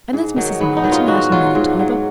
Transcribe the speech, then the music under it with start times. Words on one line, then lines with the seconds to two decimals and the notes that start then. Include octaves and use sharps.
And there's Mrs. Martin out in Manitoba.
0.13 G#2
0.36 D#3 F#3
0.60 G#2 B3
0.77 D#4
0.84 D#3 F#3
0.92 F4
1.07 G#2 F#4
1.32 F#3 F4
1.55 G#2
1.79 F#3